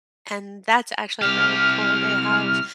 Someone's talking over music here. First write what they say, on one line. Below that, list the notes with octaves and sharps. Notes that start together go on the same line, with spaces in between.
and that's actually really cool, they have
C2 G4 F6